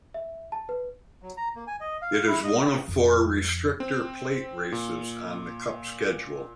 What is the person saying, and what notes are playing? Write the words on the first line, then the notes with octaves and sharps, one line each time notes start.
It is one of four restrictor plate races on the Cup schedule.
E5
A5
B4
F#3
A#5
A#3
G#5
D#5
F5
E4
D#5
F2 A2
C4
A#2